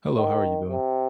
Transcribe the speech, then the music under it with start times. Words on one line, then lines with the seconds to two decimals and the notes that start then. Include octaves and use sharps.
Hello, how are you doing?
0.16 D#3
0.68 C3